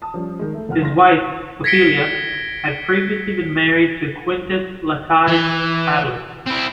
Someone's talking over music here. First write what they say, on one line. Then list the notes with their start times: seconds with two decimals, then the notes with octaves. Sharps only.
His wife, Poppilia, had previously been married to Quintus Lutatius Catulus.
0.02 A5 D#6
0.14 F3 G3 C#4
0.39 D#3 G#3
0.54 A3
0.69 F1 F#5 F6
0.81 G1 C6 A#6
1.64 G#6 A#6 B6 C#7 D7 G7
5.28 E3
6.46 C4 E4